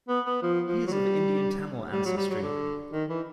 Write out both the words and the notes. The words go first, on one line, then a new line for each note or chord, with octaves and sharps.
He is of Indian Tamil ancestry.
B3
B3
F3
F3
F#3
G3
G3
F#3
G3
F#3
D3
D#3
E3